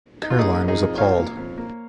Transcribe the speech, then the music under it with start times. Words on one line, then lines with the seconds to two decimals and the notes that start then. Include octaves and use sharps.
Caroline was appalled.
0.23 D#4
0.30 F4
0.38 A#3 D#4 G#4
0.58 F2
0.68 D#4 G#4
0.78 F2
0.97 F3 C#5 F5
1.18 A#3
1.37 F2
1.58 A#3